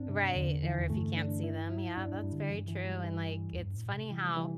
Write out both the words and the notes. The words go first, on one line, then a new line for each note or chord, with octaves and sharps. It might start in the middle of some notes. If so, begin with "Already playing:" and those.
Right, or if you can't see them. Yeah, that's very true, and, like, it's funny how,
Already playing: G2 C4 D4
C3
E2 D3
E3
E2
G2 A3
D4
E4
E4
G2 D4
G2
G3
D3
G2 E3
E3
G3
E3
E2
G2
A2
A2
C3
E3
G3
E3